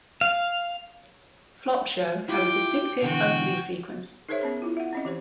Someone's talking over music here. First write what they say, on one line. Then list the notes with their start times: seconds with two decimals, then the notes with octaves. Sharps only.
"Flop Show" has a distinctive opening sequence.
0.21 F5
2.28 E4 F4 G4 G5 D6
3.02 B2 D3 E3 F#4 G5
4.29 D#4 G#4 A#4 C5 C#5 E5
4.41 B3 C#4 G#4
4.62 E4 F4
4.77 E5 F#5
4.93 C4 C#4 D#5
5.05 E3 G4 C5